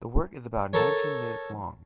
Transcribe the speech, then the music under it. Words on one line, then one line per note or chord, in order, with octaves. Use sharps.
The work is about nineteen minutes long.
A4 A#4 C#5